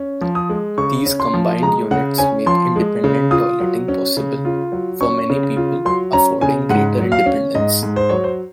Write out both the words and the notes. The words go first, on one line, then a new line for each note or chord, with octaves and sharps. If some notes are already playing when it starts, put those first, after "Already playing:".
These combined units make independent toileting possible for many people, affording greater independence.
Already playing: C#4
F3
D#6
G#3
C#3 C#6
C#4
C6
F3
G#3 A#5
C#3 F#5
C#4 G#5
F3 C6
G#3
C#3
F4 D#6
F#3
C#4
C#3
F4
F#3
C#4 C#6
C#3
F4
F#3 C6
C#4 A#5
C#3 G#5
G#2 F#5
F#3
F5
C#4
G#2 D#5
G#2
C5
F#3 C#5
C5